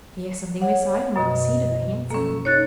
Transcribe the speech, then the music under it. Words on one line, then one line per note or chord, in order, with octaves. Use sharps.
"He has something beside him on the seat of the hansom."
C#5 F#5
F#2 B2 D#5
A#3 C#4 A4
D#4 C#5 F#6 A6